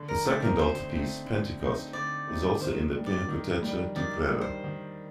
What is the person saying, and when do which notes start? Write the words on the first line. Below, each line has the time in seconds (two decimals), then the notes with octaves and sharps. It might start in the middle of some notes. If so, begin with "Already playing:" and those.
A second altarpiece, "Pentecost", is also in the Pinacoteca di Brera.
Already playing: D3
0.08 A#4
0.25 A3 C4 D#4 D5
0.42 A#4
0.58 D3 C5
0.92 A3 C4 D#4
1.26 D3
1.60 A3 C4 D#4
1.93 D3 D5
2.27 A3 C4 D#4
2.61 D#3 C5
2.95 G3 D4
3.06 D5
3.29 D#3
3.62 G3 D4
3.96 D#3 D5
4.31 G3 D4
4.41 C5
4.64 D#3